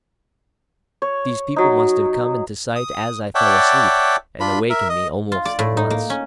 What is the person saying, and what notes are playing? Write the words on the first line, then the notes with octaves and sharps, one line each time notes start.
These people must have come into sight as I fell asleep, and awakened me almost at once.
C#5
F#3 D#4
D#6
C#5 D5 E5 F#5 G5 A5
D4 F4 B5
A#4 E5
D#5
F4
D5
A2
D#4
A#3
C#4